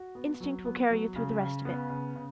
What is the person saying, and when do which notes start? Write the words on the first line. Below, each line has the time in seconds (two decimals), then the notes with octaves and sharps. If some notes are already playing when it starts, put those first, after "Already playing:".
"Instinct will carry you through the rest of it."
Already playing: F#4
0.15 B3
0.40 F#3
0.65 B3
0.91 F#3
1.16 C#3
1.40 C#3
1.65 B3
1.90 C#3
2.15 C#3